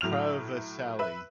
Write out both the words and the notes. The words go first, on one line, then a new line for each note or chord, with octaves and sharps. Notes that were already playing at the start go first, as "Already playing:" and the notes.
Pro Vercelli.
A2 F#3 F6 F7
B4 E5